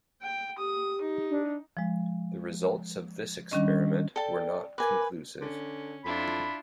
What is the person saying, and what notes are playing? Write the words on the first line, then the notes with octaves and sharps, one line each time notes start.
The results of this experiment were not conclusive.
G5
G4 D#6
D#4
D4
F3 G#3
D#3 G3 C#4 D4 D#5
A4 D5 G5 A5
A#4 B4 G#5 D6
D3 C#4
F2 D4 E4 F4 B5